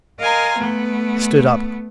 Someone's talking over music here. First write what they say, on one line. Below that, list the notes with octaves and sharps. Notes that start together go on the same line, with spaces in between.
I stood up.
A#4 D#5 F5 G#5 A#5 C6
A3 B3